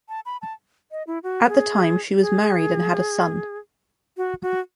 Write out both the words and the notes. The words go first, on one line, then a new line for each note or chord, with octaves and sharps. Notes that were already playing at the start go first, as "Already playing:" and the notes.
At the time she was married and had a son.
A5
B5
A5
D#5
E4
F#4
G#4
G#4
F#4
F#4